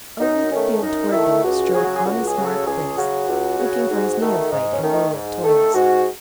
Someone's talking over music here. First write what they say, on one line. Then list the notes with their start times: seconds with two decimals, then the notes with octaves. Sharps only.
Over the field toward them strode honest Mark Brace, looking for his neophyte in rural toils.
0.20 F#2 D#4
0.51 D#3 A3 C#4
0.76 C#4
0.81 F#2 D#4
1.12 D#3 A3 E4
1.43 C#2 F#4
1.74 C#3 F#3 G#4
1.84 F#4
1.95 G#4
2.05 C#2 F#4
2.26 G#4
2.36 C#3 F#3
2.46 A4
2.66 C#2 G#4
2.97 C#3 F#3 F#4
3.28 C#2
3.59 C#3 F#3
3.90 G#2
4.21 D#3 A3
4.52 G#2 D#4
4.72 C#4
4.83 D#3 A3
4.92 D#4
5.13 G#2
5.44 D#3 A3 A4
5.75 G#2 F#4